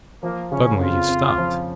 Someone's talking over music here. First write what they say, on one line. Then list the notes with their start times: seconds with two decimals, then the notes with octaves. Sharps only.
Suddenly he stopped.
0.23 F3 A#3
0.51 C#3 C#4
0.80 F2 F4
1.08 F2
1.38 F3